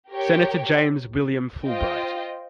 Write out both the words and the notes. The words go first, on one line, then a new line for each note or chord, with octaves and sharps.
Senator James William Fulbright.
G4 A#4 C#5 G5
F4 C5 D#5 G5